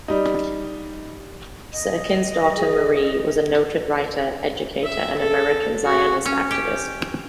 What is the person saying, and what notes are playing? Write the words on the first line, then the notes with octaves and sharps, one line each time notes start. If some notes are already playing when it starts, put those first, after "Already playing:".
Syrkin's daughter Marie was a noted writer, educator and American Zionist activist.
G3 D#4
D#5
G#4
E5
A4
F#4
C#4
G4